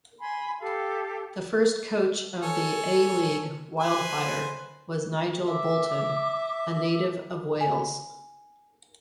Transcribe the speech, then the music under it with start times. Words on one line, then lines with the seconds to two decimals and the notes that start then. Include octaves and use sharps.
The first coach of the A-League Wildfire was Nigel Boulton, a native of Wales.
0.19 G#5 B5 C6
0.61 G4 A4 F5 A5
2.43 A4 C#5 G#5
3.80 B4 C5 G#5
5.48 E5 D6
7.61 G#5